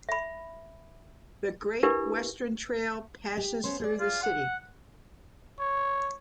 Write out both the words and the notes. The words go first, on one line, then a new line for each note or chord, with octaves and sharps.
The Great Western Trail passes through the city.
E5 B5
D4 E4 G4 A#4 B4
G4
B3 C#4 C5
G#4 D5
F4
F#5
C#5